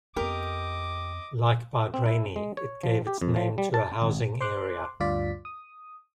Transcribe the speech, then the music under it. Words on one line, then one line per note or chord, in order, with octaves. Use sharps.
Like Bardrainney, it gave its name to a housing area.
F2 B3 G4 A#4 D#5 D6
C4
E4
G#3
C#5
F3
G4
F2
F3
G3
A5
G#1
C5 C6 D6 F#6
D2 G2 F4 D5 B6
D#6